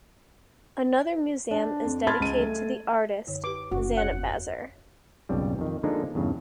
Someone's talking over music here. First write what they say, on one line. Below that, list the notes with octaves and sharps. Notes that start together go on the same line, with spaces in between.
Another museum is dedicated to the artist, Zanabazar.
D4
F2
A5 B5 C6 F6 G#6 A6
C#2 D#7
A3
F#2 D3 C#5
G4 B4 D6
F#1 F#4
E2 C#5 F#5
B1 F2 G#2 C#3 G3
F2 D#3
D3 F3 G#3 A#3 D4 D#4
E2 G2 C#3